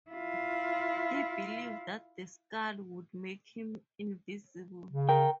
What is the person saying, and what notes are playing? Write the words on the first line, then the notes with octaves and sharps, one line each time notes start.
He believed that the skull would make him invisible.
E4 F4
C#3
A#4 G5